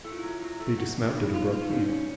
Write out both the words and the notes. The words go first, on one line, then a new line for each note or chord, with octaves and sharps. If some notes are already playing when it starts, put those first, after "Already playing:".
They dismounted abruptly.
A3 E4
F4
F#3 E4
F#3
A3
F#4
D4
B2 D#4
F4
F4
D#4
C#4 D4
C#4